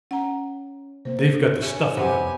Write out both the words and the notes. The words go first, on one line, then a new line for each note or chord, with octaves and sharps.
They've got the stuff in them!
C#4 F#5 A#5
C3 A#3 C4 C5
D4 G4 G#4 C#5 E5 C#7 E7
C3 B3 G4 C5 F#5 G#5